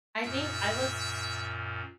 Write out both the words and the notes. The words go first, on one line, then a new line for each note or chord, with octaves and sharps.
I think I look
F#2 A#2 E5